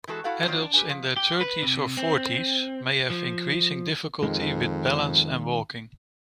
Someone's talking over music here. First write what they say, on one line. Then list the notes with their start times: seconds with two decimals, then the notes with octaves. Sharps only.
Adults in their thirties or forties may have increasing difficulty with balance and walking.
0.08 E3 G#3 F#4 A4
0.24 E4 F#4 A4 F5 F#5
0.46 D#3 F#3 A#3 F4 C5 D5
0.62 D4
0.74 G4 B4 G#5
0.89 F3
1.17 G4
1.41 B4
1.62 C3
1.97 C4
3.10 F3
4.23 F2 D#3 G#3